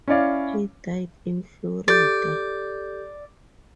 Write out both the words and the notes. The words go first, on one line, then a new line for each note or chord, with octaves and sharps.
He died in Florida.
C#4 E4 C#5 D5 F5
G4 A4 D5 G6